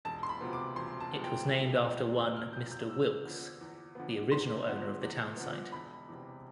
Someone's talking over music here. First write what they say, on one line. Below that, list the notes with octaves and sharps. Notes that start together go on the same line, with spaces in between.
It was named after one Mr. Wilkes, the original owner of the town site.
E1 A5
C6
B5
D2 C3 F3 B3
D6
E1 C6
A5
D2 C3 F3 B3
G5
E1
D2 C3 F3 B3
E1 E6
F6
D2 C3 F3 B3 G6
G6
E2 E6
D3 F3 B3
E2
D3 F3 B3
E2 C6
D3 F3 B3
E2
D3 F3 B3
E1 B5
E2 C3